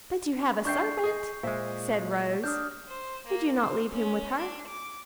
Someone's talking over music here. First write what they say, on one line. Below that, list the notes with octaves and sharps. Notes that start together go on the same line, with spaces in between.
'But you have a servant,' said Rose; 'could you not leave him with her?'
D4 E5 G5 C#6 G6 C7
G#4 D#5
A#2 G#3 C5 E5
D4 D#6 F6 G6
C5
A#3
C5
C#4
D4
D6